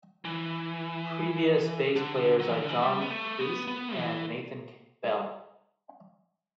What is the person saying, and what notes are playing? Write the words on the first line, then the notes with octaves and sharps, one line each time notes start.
Previous bass players are John Chriest and Nathan Bell.
E3
D3
F#3
E3
D3
E3
G3
B3
A3
B3
B3
E3